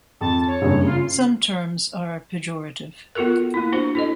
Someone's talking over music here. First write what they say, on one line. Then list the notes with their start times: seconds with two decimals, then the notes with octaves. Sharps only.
Some terms are pejorative.
0.21 F2 A5
0.47 C#5
0.62 F#1 G2
0.85 C#3 F4
3.15 B3 F4 F#4 A4 A#4
3.54 A#3 E4
3.72 D4 F#4 C5
3.95 E4 A4 D#5